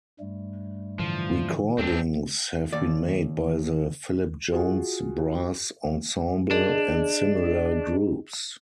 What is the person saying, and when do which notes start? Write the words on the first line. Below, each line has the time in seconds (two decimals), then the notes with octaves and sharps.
Recordings have been made by the Philip Jones Brass Ensemble and similar groups.
0.20 G2 G3 A3
0.99 A2 D3 E3 F3
1.78 D#2 C4 D4
2.73 D#2 D5
4.52 F4 F#4 G#4
6.51 D4 G#4 D#5